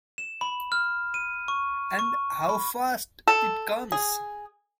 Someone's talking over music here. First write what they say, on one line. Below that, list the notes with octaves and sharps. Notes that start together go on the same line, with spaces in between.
And how fast it comes!
E7
B5
F6
D#7
C#6
C#6
B5
A4
G#4